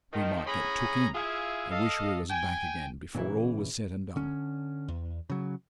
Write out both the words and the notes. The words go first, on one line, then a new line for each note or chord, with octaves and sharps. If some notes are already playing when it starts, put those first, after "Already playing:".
We might get took in, and wish we was back again before all was said and done.
D#3 F3
A2 C#4 G#4 G#5 A#5 B5
E4 F4 G#4 E5 F5 G#5
A4 D#5 F5
G5 G#5
A#2 C#3 E3 E4
D3 C#4
E2
C#3 F#3